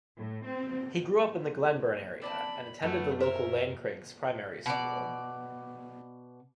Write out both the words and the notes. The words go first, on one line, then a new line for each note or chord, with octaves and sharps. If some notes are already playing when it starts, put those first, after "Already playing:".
He grew up in the Glenburn area and attended the local Lancraigs Primary School.
A2
C4
C4 D4 D5 A5 B5 D6
F#2 A3 B3 B4
A#4 C5 C#5 E5
B2 D5